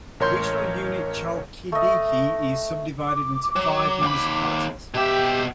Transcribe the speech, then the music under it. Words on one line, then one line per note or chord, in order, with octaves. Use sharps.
The regional unit Chalkidiki is subdivided into five municipalities.
A1 A#4 C#5 C6 G6
A3 D#5
D6
F#3
D#2 B5
B2 G4 E5